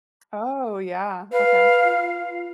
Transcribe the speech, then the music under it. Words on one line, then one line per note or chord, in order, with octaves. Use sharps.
Oh, yeah. Okay.
B4 F5
F4
F4